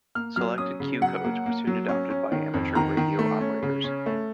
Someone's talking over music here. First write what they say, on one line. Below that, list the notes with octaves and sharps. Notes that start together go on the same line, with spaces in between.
Selected Q codes were soon adopted by amateur radio operators.
A#3 F6
F#3 F6
C#4 D#6
C#3
F#3 F#5
A#3
A#3
F#3
C#4
C#4
D#3
F2
D#3 A#5
D#3
A3
C#4
C#3
C#4
A3